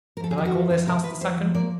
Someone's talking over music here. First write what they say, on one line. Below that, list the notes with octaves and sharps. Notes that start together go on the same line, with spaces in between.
Did I call this house the second?
A#4
F2 A4
G#4
F2 G4
F#4
E3
F2 F4
C3 A#4
E3 B4
F2 C5
F3
A#3 D5